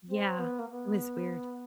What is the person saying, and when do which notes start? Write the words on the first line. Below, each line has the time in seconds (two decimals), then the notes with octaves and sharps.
Yeah. It was weird.
0.07 C4
0.38 B3
0.59 A#3
0.70 B3